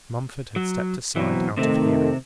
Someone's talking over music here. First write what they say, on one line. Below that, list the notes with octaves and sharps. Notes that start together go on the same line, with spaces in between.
Mumford had stepped aside, out of hearing.
F#3
B2 E3 F#3 C4
C3 D#3 A3 C4